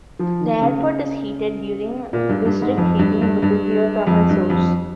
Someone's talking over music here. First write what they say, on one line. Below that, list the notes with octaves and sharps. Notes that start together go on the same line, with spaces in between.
The airport is heated using district heating with a geothermal source.
F3
D#3
C#3
A#2
G2
G2
G#2
F2
G2
G2
G2
F2
G2
F2